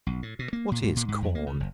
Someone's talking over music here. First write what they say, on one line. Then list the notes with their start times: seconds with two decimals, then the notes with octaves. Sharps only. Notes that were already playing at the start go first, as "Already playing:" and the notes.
What is Corn?
0.07 B1
0.23 A2
0.39 B2
0.53 A#3
0.72 A#2
0.83 G#2
0.96 A#2
1.08 G#2
1.22 F2
1.35 A#3
1.47 C#3
1.60 F#1